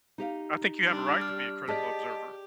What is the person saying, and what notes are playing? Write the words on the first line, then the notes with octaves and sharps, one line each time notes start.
I think you have a right to be a critical observer.
D#4 G4 F5
G3 D4
G4 F6
G4 G#4 D5 D#5 A5 B6